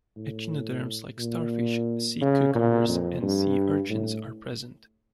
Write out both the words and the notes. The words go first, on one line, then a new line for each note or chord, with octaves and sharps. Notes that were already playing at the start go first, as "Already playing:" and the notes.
Echinoderms like starfish, sea cucumbers and sea urchins are present.
A2
A#2
C#3
A#2
F2
G2
A2